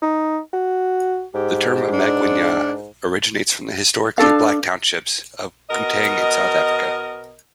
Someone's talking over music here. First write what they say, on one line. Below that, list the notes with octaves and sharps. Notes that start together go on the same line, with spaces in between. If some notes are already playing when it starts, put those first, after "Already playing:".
The term "amagwinya" originates from the historically Black townships of Gauteng in South Africa.
D#4
F#4
G#2 G4
D4
D4 F#4 A4 F5
B2 A#4 D#5